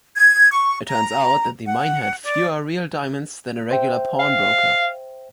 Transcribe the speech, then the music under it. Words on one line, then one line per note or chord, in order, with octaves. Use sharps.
It turns out that the mine had fewer real diamonds than a regular pawnbroker.
G#6
C#6
A#5
F#5
D5
C5 E5 G5
F5